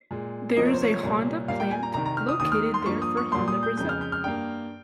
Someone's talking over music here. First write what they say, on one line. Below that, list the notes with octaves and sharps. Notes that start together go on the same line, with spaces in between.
There is a Honda plant located there for Honda Brazil.
A#2 G#3
C2 C3 F3 A#3 D#5
C#5
C5
C#5
C2 A#2 G3 A#3
A#2 G3 A#3 F5
G5
G#5
A#5
C2 C3 D#3 A#5
A#5
F6
D#6
D#2 D#3 A#3 D#6
F6
C6
G2 F3 A#3 C#6
D#6
C#6
A#2 G3 A#3 C6
D#6
G6
F2 C#3 G#3 G6
F6
G6
F6
G2 G3 A#3 G5